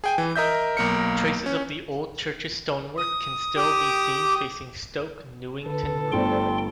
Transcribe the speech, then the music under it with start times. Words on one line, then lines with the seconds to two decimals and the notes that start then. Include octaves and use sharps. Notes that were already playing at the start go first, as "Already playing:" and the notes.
Traces of the old church's stonework can still be seen facing Stoke Newington Road.
0.04 G#4 G5 G#5
0.18 E3
0.36 A#4 D#5 E5 G6
0.77 B1 A#3 A#4 C#7
1.46 C#4
2.98 D#6
3.57 G4 D6
5.66 D3 A4 B4
6.12 G1 A3 C5 D5 G5 C6